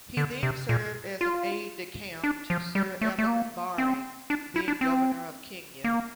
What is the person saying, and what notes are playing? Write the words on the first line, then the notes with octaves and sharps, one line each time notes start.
He then served as an "aide-de-camp" to Sir Evelyn Baring, then Governor of Kenya.
D3
C3
A#2
F4
D4
F3
G3
A3
A3
A#3
C4
D4
E4
D4
C4
A#3